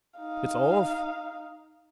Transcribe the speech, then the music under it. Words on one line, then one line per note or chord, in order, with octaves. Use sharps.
It's off.
D#4 F5